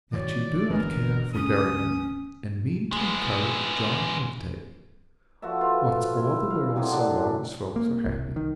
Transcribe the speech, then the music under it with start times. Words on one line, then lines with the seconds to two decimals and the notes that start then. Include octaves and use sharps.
'That you do not care for Derriman, and mean to encourage John Loveday. What's all the world so long as folks are happy!
0.13 D#3 E3 G3 A3 F#4 C#5 D5
0.70 G1 E3 A#3 B3 D4 A#4 B4
1.34 C#2 G2 C#4 D#6
2.92 G#3 B3
5.42 F3 F#4 A4 E5
5.61 F4 B4
6.17 E4
6.50 F5
6.76 A2 C3 F#3 G#3
6.92 D4
7.76 A#3
8.06 C2
8.36 D#3